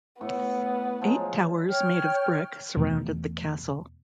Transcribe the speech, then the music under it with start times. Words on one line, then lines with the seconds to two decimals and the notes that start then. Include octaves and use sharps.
Eight towers made of brick surrounded the castle.
0.21 A2 B3 C#6
1.01 F3 F#3 G#3
1.69 C#5 G5 F6
2.76 E2 B2 E3 A3